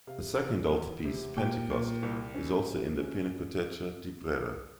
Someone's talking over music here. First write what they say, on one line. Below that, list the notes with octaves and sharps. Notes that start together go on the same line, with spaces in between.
A second altarpiece, "Pentecost", is also in the Pinacoteca di Brera.
C3 F5
E3
E2
C3
A#2 G5
A#2
C2
C#4
C3
C#4